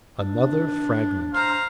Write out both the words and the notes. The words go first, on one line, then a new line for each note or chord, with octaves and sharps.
Another fragment.
D4
C5 F5 A#5